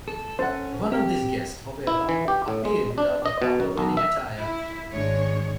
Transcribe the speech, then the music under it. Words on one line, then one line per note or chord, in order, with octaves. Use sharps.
One of these guests, however, appeared without the proper wedding attire.
A4
C#4 A4 C5 F#5
C4 G4
E4
E3
G4
A2
G#3
D4
D#5
B2
F#2
B1
E5
E4
G#1 G#3 D4 C#5